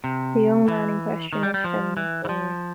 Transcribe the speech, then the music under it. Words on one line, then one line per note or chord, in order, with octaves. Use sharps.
The young man in question is Phil McRory.
C3
E3
D#3
G3
G3
F3
E3
E3
F3